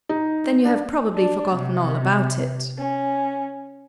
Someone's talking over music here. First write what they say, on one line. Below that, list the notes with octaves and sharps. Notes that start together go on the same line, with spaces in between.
"Then you have probably forgotten all about it."
D#4
D4
D4
C3
C#4